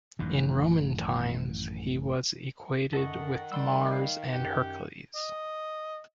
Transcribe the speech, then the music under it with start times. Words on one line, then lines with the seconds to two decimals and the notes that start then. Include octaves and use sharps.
In Roman times he was equated with Mars and Hercules.
0.19 A1 F#2 D#3
2.93 F#2 D#3 A4 D#5 F#5 C#6
3.52 G3 D5 C6 E6
3.93 F5
4.33 F#2 G4 F#5
5.15 D#5